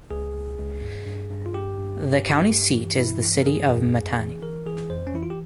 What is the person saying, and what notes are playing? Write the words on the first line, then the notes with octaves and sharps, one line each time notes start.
The county seat is the city of Matane.
C#2 G#4
C#2
C#2
G2
G2
G2
F4
G2 G4
G2
G2
G2
G2
E3
G2 E4
E3
A#4
G2 G#4
F2
F2
E3
E3 A#4
E3 G#4
F2 C5
C#4
E3 E4
F4
G4